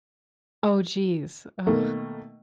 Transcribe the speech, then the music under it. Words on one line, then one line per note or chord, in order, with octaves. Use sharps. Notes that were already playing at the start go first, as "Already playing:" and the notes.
Oh, jeez. Oh,
B2 D#3 A3 A#3